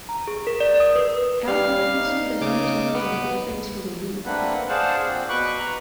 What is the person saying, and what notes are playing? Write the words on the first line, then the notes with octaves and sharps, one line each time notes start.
Algorithms feed us news and media it thinks we will read.
A#5
G#4
A#4
D5
D#6
B4
G3 F5 C7
D#4
C#3 D6
B3
A3 A#3 C4 D4 B4 F#5
G#4 C5 D5 F5 F#5 A5
A#2 C4
B2 B4 C#6 D6 F#6
B4 A#5